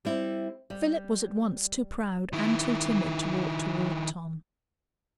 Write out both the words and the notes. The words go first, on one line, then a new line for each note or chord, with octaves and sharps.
Philip was at once too proud and too timid to walk toward Tom.
G3 C4 E4
G3
D#3 E4